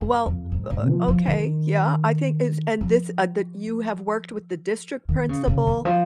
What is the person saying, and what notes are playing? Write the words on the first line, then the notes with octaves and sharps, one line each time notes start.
Well, o o okay, yeah, I think it's and this, uh, that you have worked with the district principal
G2
F2
G#2
G#2
F3
F3
D#3
F3
D#3
C#3
C#3
D#3
F3